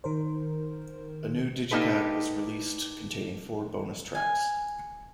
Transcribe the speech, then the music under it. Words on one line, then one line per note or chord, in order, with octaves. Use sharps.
A new digipack was released containing four bonus tracks.
D#3 A#4 C5
A#3 D4 D#4 G4 A4 B4
G#5